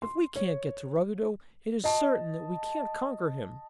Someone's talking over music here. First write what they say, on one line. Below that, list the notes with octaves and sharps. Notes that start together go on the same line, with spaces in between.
"If we can't get to Ruggedo, it is certain that we can't conquer him."
C6
C#5
D#5 A5